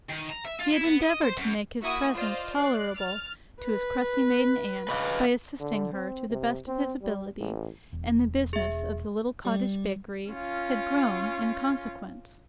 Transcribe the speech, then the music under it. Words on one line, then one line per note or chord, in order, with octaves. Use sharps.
He had endeavoured to make his presence tolerable to his crusty maiden aunt by assisting her to the best of his ability, and the business of the little cottage bakery had grown in consequence.
D#3
A#5
E5
F4
E4
B3
D#5
C5
F#2
A#3 E4 F#4 E5 C#6 D#6
F4 C5 D5 D#5 F5
D5 F#6 C7
F6 A6
B4
B4 D#5 F5
D3
C4
C3
C4
G3
A1
E1
G#4 E5
G3
C#4 F4